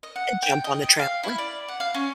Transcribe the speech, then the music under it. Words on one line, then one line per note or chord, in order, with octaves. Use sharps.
and jump on the trampoline,
D#5
F#5
G5
D#5
G5
F5
E4
D5
F#5
F5
C#4